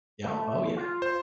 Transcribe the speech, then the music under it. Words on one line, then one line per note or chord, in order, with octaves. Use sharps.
Yeah, oh yeah.
A3
F4
C5